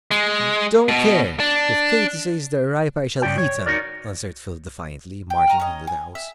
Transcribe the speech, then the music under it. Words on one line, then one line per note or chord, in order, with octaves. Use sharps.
"I don't care, if Katy says they're ripe I shall eat 'em," answered Phil, defiantly, marching into the house.
G#3
B2
D4
G2 C#3 D5 G5
C#5
D#4 F#4 A#4 D5
G5
A#5 F6
C#4 D#5
G#5
E5